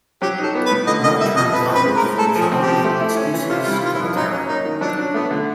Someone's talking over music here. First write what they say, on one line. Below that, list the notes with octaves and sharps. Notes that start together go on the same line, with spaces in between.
When our turn comes, we shall not make excuses for the terror.
F#3 G4
D#4 A4
B3
B4
A2
D3 D#5
A#3 D#5
G3 E5
F2 D#5
F3 B4
C4
B4
G#3
A#4
A2
G#3 A4
F3
G#4
C4
G4
F3
A3
E4
C#4
E3
C3 F4
F4
G3 E4
D#3 F4
E4
F2
F#3 D#4
C#4
A#3 D#4
D#3
F#3 D4
D4
A3 B3
D3